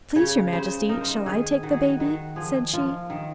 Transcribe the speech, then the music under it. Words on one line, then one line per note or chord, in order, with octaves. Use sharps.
"Please, your Majesty, shall I take the baby?" said she.
C#3 C#5
C#3 C5
D#4 A#4
C5
A#4
D#3 G#4
D#3 F#4
G#4
F#4
D#3 F#4
F3 G#4
F3 F4
D#3